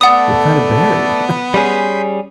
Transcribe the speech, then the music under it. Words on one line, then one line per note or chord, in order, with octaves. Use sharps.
What kind of berry?
A3 B3 A4 D5 F#5 D#6
G3 C#4 G#4 B5 C6 G6